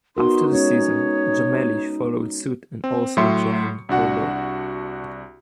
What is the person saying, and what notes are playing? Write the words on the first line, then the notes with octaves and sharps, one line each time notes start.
After the season, Jammeli followed suit and also joined Bordeaux.
B3 D#4 F#4 A#4 C6
G#3 C#4 C#5
C4
A2 F#3 E5 C6 C#7
C2 D4 F#4 F#5